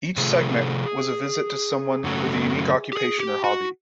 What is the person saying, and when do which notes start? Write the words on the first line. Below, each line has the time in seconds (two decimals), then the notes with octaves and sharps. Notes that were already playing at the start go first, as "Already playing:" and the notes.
Each segment was a visit to someone with a unique occupation or hobby.
0.17 C3 F3 A3 G#4
2.04 F#2 C#3 F#3 A3
2.93 G4
2.97 G#4
3.20 G4
3.44 F#4